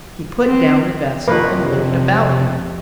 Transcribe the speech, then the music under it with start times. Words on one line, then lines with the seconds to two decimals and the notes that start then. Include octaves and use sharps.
He put down the vessel and looked about him.
0.46 C4
1.28 F1 F2 C3 A#3 F4 B4 C#5